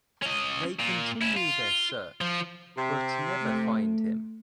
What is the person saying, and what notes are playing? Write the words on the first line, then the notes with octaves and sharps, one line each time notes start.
They continue their search, but never find him.
C#4 D#5
A#2
C#4 E4
F4
F3
C3
A3